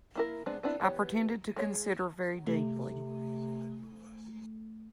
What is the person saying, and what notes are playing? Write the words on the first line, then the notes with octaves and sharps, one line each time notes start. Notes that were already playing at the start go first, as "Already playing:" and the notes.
I pretended to consider very deeply.
A#3 E4 A#4
G#3 B3 C4 D4
B3 C4 D4 E4
E3 B3 G4 C#5
G#3 C#5
C3 A3